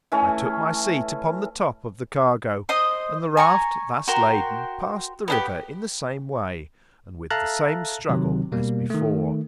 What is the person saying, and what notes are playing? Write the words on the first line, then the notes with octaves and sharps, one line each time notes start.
I took my seat upon the top of the cargo, and the raft thus laden passed the river in the same way, and with the same struggle as before.
E3 A3 C#4
C5 D#5 D#6
G#5 A#5 C#6
F#4 A#4 C5 G5
B3 D4 G4
A4 E5 F5 A5 A#5 F#6
C3 D#3 F#3
B2 G3 A#3
D#3 A3